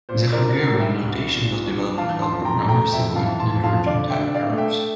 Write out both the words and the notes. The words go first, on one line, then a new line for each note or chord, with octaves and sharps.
The Hungarian notation was developed to help programmers avoid inadvertent type errors.
A#2 C5
A#4 D5
D4
A#4
G3
E5 G5
C2
A#2
D4
E3 F5 A5
A5 C6
F2
G5 A#5
A3
G5 A#5
F2 E5 G5
F5 A5
E3
A5 C6
F2
F5 A5
D3 D5 F5
E5 G5
D4
D5 F5
A3
E5 G5